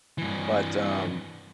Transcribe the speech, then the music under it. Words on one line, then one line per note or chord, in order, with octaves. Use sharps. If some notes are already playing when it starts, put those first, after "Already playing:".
But, um,
G2 E3